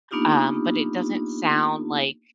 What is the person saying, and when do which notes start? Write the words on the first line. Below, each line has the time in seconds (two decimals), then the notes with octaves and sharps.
Um, but it doesn't sound like
0.11 A#3 B3 D4 D#4 F4 G4